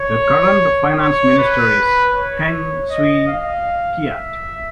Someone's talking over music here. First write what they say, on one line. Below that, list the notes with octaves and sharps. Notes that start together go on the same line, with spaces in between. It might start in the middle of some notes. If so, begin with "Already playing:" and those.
The current Finance Minister is Heng Swee Keat.
Already playing: C#5
C#5
B4
C#5
D#5
F5
E5